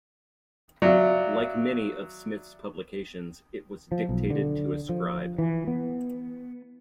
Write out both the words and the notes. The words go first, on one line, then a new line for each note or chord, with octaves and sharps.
Like many of Smith's publications, it was dictated to a scribe.
F#3 D5 E5 F5
F3
B1
D3
F3
E3
B3